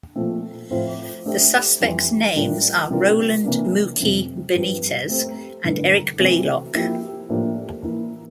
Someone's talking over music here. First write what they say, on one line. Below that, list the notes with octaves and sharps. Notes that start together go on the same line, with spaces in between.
The suspects names are Roland "Mookie" Benitez and Eric Blaylock.
A#2 F3 A3 C4
A2 F3 C4 F4 C5
A3 D4 G4 C5 E5
F2 E3 G3
A2 G3 D4 F4 A#4
C3 G3 D4 F4 A#4
C3 E3 A#3 D4
F2 C3 G3
G2 F3 C4 G4
A3 C4 G4 C5
G2 D3 A3 E4
C3 E3 A3 C4
F3 A#3 E4 G4
A2 F3 A#3 D4 G4
E3 A#3 E4